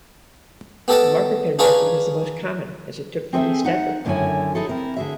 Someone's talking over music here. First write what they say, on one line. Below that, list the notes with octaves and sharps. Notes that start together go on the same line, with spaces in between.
The marker pen method was the most common as it took the least effort.
B3 G4 A4 D#5 G5 A5
D4 D#4 F4 G#4 B4 C#5
C4 G#4 A4 C5 E5 G#5
D#4 F#5
F#2 D3 D#3 E4 C#5 G#5
D#4 E4 G#4 A4
C4 E4 A#4
D3 G#4 E5